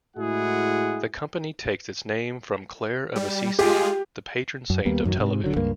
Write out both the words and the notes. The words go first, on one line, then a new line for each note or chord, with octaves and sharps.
The company takes its name from Clare of Assisi, the patron saint of television.
A2 G#3 E4 F#4 G#4 F#5
G3
G#3 F4 G4 G#4
F#2
D#2 G3 A#3 B3
A1 F#2 D#3 F#3
G#2 C3
D#1 D3 F#3
C#2 G2 A#3